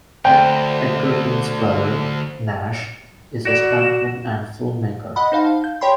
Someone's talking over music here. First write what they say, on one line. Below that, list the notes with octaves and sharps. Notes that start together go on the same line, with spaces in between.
Edgerton's brother, Nash, is a stuntman and filmmaker.
D2 D3 C5 G5
F#4 D5 E7
D#5 F#5 B5
D#4 C5 F5 A5
F5
G6
G4 C#5 G5 B5 C6